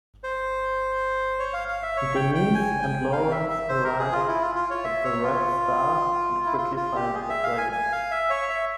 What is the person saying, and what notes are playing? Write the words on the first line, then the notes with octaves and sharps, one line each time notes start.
Denise and Lawrence arrive at the red star and quickly find the dragons.
C5
C#5
F5
F5
E5
C#5
G5
G5
G#5
G5
F5
E5
E5
C5
A#4
G#4
F4
E4
F4
F4
C#5
E5
C#5
F4
E4
F4
F4
G4
G#4
E5
F5
G#5
G#5
F5
E5
C#5
E5